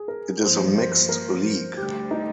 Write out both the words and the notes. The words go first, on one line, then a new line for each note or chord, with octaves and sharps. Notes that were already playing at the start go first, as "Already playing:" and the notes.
It is a mixed league.
Already playing: G#4
A#4
G2 F3 A#3 C5
C5
A#4
D2 D3 G3 G4
D#4